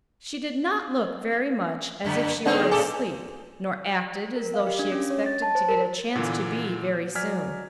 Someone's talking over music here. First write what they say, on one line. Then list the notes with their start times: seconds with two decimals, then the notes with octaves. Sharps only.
She did not look very much as if she were asleep, nor acted as though she expected to get a chance to be very soon.
2.05 F#2 D3
2.45 D3 G#3 B3 C4 D4 D#4
2.71 A#2 G#4 A4 D5
4.36 A#4
4.54 F5
4.67 G4
4.79 D4
4.92 C#4
5.10 C#5
5.26 A6
5.42 A5
5.55 C5
5.69 A#4
6.15 A#2 D3 E3 A#3 B3
7.15 F#3 D5 G#5 F6 G#6 B6